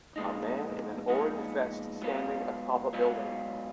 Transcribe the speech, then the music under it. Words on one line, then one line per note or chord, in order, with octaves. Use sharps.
A man in an orange vest standing atop a building.
A#2 F3 G#3 B3 D#4
A#2 F3 G#3 B3 D#4
G#2 F#3 B3 F4
G#2 F#3 B3 F4